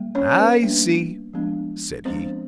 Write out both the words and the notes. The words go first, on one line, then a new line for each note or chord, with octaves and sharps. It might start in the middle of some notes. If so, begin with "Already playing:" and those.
"I see," said he.
Already playing: G3 A#3
C#4 C#5
B3 B4
G3 A#3 D4
F3 G#3 B3 D4
F3 G#3 B3 C4 D4 C5